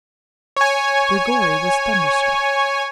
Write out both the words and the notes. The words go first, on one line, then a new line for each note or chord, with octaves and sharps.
Grigory was thunderstruck.
C#5 G#5